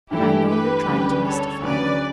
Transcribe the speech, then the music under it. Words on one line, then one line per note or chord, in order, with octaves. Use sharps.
"But I know you're trying to mystify me."
G2 E3 A3 E4 G4
G4 B4
D2 C#3 G3
A4 C#5
D2 C#3 F#3 B4 D5